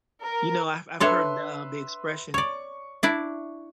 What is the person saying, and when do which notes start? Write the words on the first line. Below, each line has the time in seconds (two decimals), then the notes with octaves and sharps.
You know, I've I've heard the, um the expression
0.23 A#4
1.00 D4 A4 B4 C#5 E5 C6
2.34 C#5 D5 C#6
3.03 D4 E4 D5